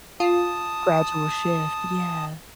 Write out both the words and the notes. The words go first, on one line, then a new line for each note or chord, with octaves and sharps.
Gradual shift, yeah.
F4 A5 D#6